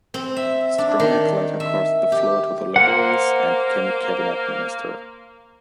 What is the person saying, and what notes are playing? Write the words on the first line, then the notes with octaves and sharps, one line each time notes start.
Stronach later crossed the floor to the Liberals and became a cabinet minister.
C4
E5
D4
D#3
E5
G4
A#3 C5 F#5